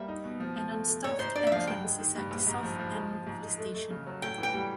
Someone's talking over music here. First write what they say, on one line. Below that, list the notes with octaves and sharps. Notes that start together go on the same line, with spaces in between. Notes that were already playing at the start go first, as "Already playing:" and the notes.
An un-staffed entrance is at the south end of the station.
Already playing: G3 A#3 E5
D#4
B2
F3
F3
A3
A3
G#2 C#5
G#2 C5
D4 D5
E5
F3 F5
G2 G5
G#3
D#3
G2
A#1
G#2
F3
F3
G#3
F3
G#2
G#3
A3
A3
C#3
F#3
A2 G5
E3 G5
G3